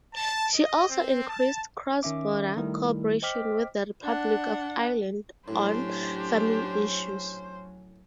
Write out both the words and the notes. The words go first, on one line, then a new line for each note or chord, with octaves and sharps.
She also increased cross-border co-operation with the Republic of Ireland on farming issues.
A5
D#5
C4
A5
D#3 C#4 E5 D6
D#3 G3 A3 E4
C5 D#5 G5 D6 F6 B6
D4 F#5
A2 F#3 C#4 D4 G4 C5